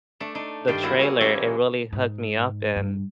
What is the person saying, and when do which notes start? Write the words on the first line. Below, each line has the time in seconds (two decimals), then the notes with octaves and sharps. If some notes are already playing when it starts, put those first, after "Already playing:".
the trailer, it really hooked me up, and
0.20 A3 D4
0.35 D4 D#4
0.68 G2 D#3 D5 G5 C6
0.83 F#3 G3 A#3 E4 A#4
1.00 A#4 C#5 G#5
1.20 E3 G#3 A#3 C#4 G4 G#4
1.93 G#2
2.76 G2